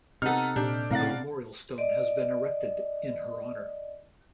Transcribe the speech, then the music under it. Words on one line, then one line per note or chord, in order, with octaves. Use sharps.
A memorial stone has been erected in her honour.
C3 B3 D#4 A4 F6
A#2 D4 G4
A2 C3 A#4 F5 F#5 A6
D5 D#5